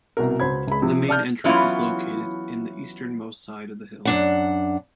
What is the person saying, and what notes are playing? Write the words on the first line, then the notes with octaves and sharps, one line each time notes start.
The main entrance is located in the easternmost side of the hill.
C2 B2 A#4
C#2 F#4 C5 B5 G#6
C#2 G#3 B5
C3 F3
D5 A5 F6 G6
E3 F#3 B3 C#4 E4 F4
F#2 D4 F#5